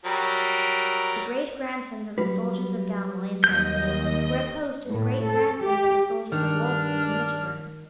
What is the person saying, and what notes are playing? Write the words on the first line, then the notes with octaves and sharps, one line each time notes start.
The greatgrandsons of the soldiers of Galmoy and Sarsfield were opposed to the greatgrandsons of the soldiers of Wolseley and Mitchelburn.
F#3 G3 A#4
F#3 G3 B4
D#2 D#5 G6
A2
A4
G4
G2 D#3 D4 F6